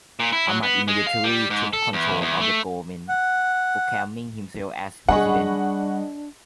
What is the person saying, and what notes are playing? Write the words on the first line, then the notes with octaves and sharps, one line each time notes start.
Ahmad immediately took control of the government, proclaiming himself as President.
A#2
E4
F#3
B3
G#3
F5
G3
G#2
A4
E2
E2
A3
F#5
G3 D4 G#4 D#5 F#5 G#5 B5 C#6